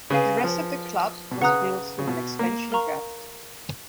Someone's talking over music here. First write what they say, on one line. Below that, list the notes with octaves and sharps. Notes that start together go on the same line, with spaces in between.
The rest of the club was built through an expansion draft.
C#3 G#4 B4 F5 G#5
F3
B2
C#3 B4 F#5 A#5 D#6 F#6
C#3
B2
A#3
A#4 F5 A#5 C#6